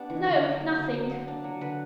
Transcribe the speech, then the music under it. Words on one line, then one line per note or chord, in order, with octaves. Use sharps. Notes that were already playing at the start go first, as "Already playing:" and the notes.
'No, nothing.
Already playing: B3 D4 G4
E3
D3
F#3
A#3
D3
F#3
A#3
D4
F#3
D3 B4